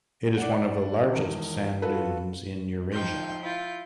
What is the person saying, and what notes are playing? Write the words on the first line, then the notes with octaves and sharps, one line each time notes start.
It is one of the largest sand dunes in Eurasia.
D5 F#5
E1 D#3
F4 F#4 A4 B4
F3 D#4 G5 C6 G6
E4 F4 G6